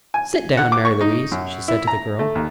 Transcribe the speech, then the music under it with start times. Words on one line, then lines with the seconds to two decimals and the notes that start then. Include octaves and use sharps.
"Sit down, Mary Louise," she said to the girl.
0.14 G#5
0.57 F#5
0.72 D6
0.85 C#6
1.01 D#4
1.32 F#2
1.68 E4
1.87 A#5
2.19 A3
2.35 D#2